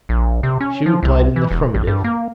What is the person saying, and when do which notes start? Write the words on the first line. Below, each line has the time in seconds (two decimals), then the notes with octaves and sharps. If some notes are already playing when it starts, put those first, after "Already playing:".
She replied in the affirmative.
0.09 A#1
0.43 C3
0.60 C#4
0.86 F3
1.03 C2
1.36 E3
1.51 E1
1.75 A1
1.87 G2
2.04 A#3